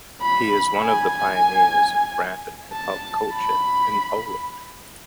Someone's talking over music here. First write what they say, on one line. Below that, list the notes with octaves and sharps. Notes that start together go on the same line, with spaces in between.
He is one of the pioneers of rap and hip-hop culture in Poland.
B5
G#5
A5
B5